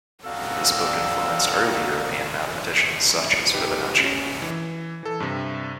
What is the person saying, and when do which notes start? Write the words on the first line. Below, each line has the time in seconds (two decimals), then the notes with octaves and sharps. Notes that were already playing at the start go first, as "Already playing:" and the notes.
This book influenced early European mathematicians such as Fibonacci.
0.24 C4 D#4 F#4 A4 D5 F5
3.54 D#4 G4 B4
4.00 C#4
4.42 E3
5.03 E3 A4
5.20 G2 C3